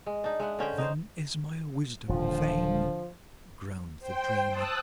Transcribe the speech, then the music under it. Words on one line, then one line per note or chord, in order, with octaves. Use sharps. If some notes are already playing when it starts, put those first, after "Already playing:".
'Then is my wisdom vain!' groaned the dreamer.
G#3
D4 D#4
G#3 E5 F#5
D3 C#4 C5 G5
D#4 C5
D#1 D3 F3
C5 G5
A5 D#6 E6 F#6